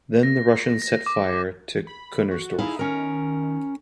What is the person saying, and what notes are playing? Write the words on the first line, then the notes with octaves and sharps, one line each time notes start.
Then the Russians set fire to Kunersdorf.
A#6
A#6
D6
B5
F#4
D#4 E4 G#4 F5
D#3 C#4 A#4